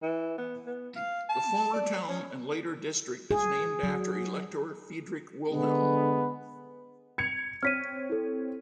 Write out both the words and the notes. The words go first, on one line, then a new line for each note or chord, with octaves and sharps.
The former town and the later district is named after Elector Friedrich Wilhelm.
E3
B3
B3
F5
A5
D5
C#4
G#4
F#3
D3 G#3 B3
G#6 C#7 F7
C4 C#5 F6 B6 D#7
E4 A4